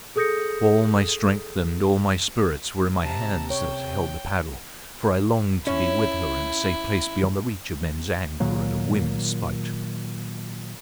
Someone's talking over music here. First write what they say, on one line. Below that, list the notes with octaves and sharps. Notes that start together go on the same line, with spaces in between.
All my strength and all my spirit were in my hands that held the paddle--for I longed to be with her in a safe place beyond the reach of men's anger and of women's spite.
G#4 A4 D#6 G6 A#6 C#7
C3 A5 A#5
C#5 G5
C#4 E4
A#2 D#3 F#3 A#3